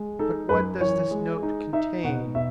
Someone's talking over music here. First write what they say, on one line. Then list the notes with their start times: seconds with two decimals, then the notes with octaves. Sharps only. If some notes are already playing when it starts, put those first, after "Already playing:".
"But what does this note contain?"
Already playing: G#3
0.19 D#4 A4
0.49 F#2 B4
0.81 E3 C#5
1.11 G#3
1.43 D#4
1.73 D#4 E5
2.04 B2 F#5
2.35 B2 E5